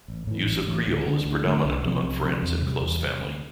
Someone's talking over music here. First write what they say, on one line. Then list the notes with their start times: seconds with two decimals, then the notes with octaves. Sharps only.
Use of Creole is predominant among friends and close family.
0.08 A1
0.27 A2 E3
0.47 A1
0.67 A2 E3
0.87 D2
1.06 D3 A3 D4
1.25 D2
1.44 D3 A3 D4
1.64 C2
1.84 C3 F3 C4
2.04 C2
2.23 C3 F3 C4
2.42 E2
2.62 C3 G3
2.82 E2
3.01 C3 G3
3.21 D2